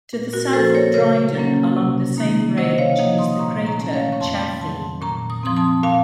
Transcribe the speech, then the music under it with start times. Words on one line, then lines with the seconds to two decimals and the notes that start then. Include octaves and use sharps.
To the south of Dryden along the same range is the crater Chaffee.
0.13 A#2
0.33 F#4 A#4
0.53 F3 A#3 A4 C5
0.75 A#4 C#5
0.94 C#3 A#4 C#5
1.35 F#3 A#3 C#4
1.77 C3
2.17 D#3 A#3 D#4
2.58 C3 C5 D#5
2.78 C#5 F5
2.99 F3 A#3 D#4 D#5 F#5
3.18 C6 D#6
3.39 A#2 A#5 C#6
3.66 A#5 C#6
3.79 A3 C#4
3.93 C#5 F5
4.12 C#6
4.20 F2 A5 C6
4.61 D#3 F#3 A5 C6
5.01 A#2 A#5 C#6
5.30 D#6
5.43 F3 C4 C6 D#6
5.57 A5 C6
5.83 A#2 F5 A5